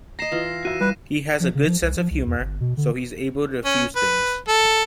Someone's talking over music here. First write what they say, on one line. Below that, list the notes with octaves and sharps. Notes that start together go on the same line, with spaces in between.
He has a good sense of humor, so he's able to defuse things.
D#5 A#5 A#6 C7 E7
E3 F4
F#4 E5 D#7
G3 B4
F3
C#3
F3
C2
F3
C2
E2
G1
B2
D3
C#4
B4
A4